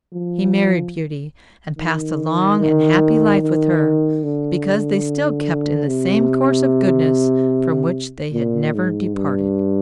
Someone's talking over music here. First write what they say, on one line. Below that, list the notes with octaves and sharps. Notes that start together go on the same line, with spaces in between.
He married Beauty, and passed a long and happy life with her, because they still kept in the same course of goodness from which they had never departed.
F3
D#3
D#3
D#3
D3
C3
A#2
G#2
G2